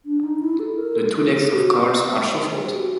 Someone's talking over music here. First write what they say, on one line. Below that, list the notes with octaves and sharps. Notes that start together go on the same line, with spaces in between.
The two decks of cards are shuffled.
D4
D#4
E4
A4
A#4
A4
A4
G#4
G4
F#4
G#4
G4
F#4